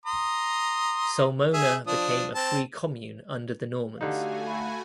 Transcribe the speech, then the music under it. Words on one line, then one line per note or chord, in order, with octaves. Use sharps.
Sulmona became a free commune under the Normans.
A#5 C6 D#6
G#4 E5 G#5
F3 D4 D#6
C4 A5
D3 A3 D#4 F#4 G4 F5 G#5
B5